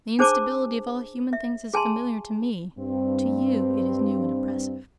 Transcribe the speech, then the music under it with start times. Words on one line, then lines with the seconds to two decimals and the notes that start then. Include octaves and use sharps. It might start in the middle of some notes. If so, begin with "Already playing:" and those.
The instability of all human things is familiar to me, to you it is new and oppressive.'
0.19 D4 G#4 C5 G#5 A5 D6
1.33 E5
1.74 G#4 G#5 A5 C6
2.77 G2 C4